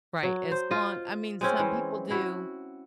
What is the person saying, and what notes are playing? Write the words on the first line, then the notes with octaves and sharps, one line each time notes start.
Right. As long I mean, some people do,
F#3
C5
F4 D#5
G#3 C4 C#4
E3
E4 F#4